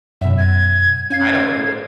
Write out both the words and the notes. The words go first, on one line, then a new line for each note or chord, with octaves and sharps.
I don't really.
F#2 B2 E5
G#6
C#4 F5 G#6 C7